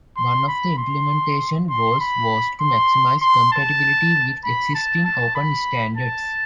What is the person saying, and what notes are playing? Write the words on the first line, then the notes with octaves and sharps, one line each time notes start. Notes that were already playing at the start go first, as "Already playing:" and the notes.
One of the implementation goals was to maximize compatibility with existing open standards.
C6
B5
C6
C6
B5
C6
C6
A5
B5
A5
A5
B5
A5